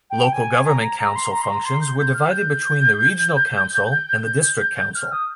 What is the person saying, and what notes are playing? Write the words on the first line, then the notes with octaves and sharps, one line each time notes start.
Local government council functions were divided between the regional council and the district council.
G5
G#5
A#5
A#5
C6
A#5
C6
A#5
C6
G6
G6
F6
G6
F6
D#6